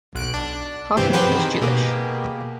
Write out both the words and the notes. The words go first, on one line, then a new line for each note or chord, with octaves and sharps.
Hoffman is Jewish.
B1 F#6 D7
D4
G2 C3 E3 C4 G4
G4 G#4 B4 C5 F#5 G5
D#3 C4
B2 A#3 G4 G#4